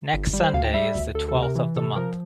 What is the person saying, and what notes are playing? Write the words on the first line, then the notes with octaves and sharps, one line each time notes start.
Next Sunday is the twelfth of the month.
G1
G3
C5
D2 F5
G5
G3 E5
D2
D2 A4
A4
C3
A#4
E3
C3 A4
F3 A#4